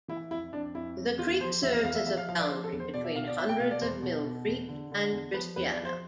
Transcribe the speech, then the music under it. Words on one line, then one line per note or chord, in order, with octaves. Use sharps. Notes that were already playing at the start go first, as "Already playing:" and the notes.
The creek serves as a boundary between the Hundreds of Mill Creek and Christiana.
E3 E4
F2 E4
F2 D4
F2 E4
F2
E2 F4
F3 C5
E2 E5
F5
E2 F5
E5
F3 E5
F5
F3 F5
D5
F3 C5
A4
E2
C5
B2 D5
E5
B2 F5
D5
B2 E5
G5
B2 F5
D5
E2 C5
B2
B2
E2
D3
D3
E2
F3 B4
E2 B4
D5
F3
C5